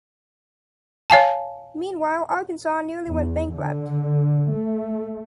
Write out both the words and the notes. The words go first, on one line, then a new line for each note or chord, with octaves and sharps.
Meanwhile, Arkansas nearly went bankrupt.
C#5 F5 G#5 A5
E2
D3
A3